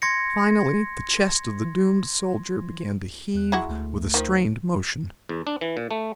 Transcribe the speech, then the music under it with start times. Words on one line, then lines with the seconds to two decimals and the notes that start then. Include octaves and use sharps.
Finally, the chest of the doomed soldier began to heave with a strained motion.
0.02 C6 G#6 A#6 C#7
3.34 E2 F#6
3.52 G#3 E4 F#4 A#5 C#6
3.69 D2 A3
4.14 D#3 F3
5.29 E2
5.47 D4
5.61 E3
5.77 A#2
5.91 A3